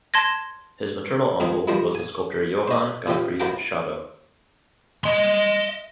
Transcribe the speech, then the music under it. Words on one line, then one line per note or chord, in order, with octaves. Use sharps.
His maternal uncle was the sculptor Johann Gottfried Schadow.
A5 C6 G#6 A#6
G#2 D#3 F3 C4 G#4
D#3 F3 G3 A3 A#4 C5
G#5
C5 D#5
A#2 C#3 E3 G4
B1 E4 F#4 A#4 G5 D6
D#5 C6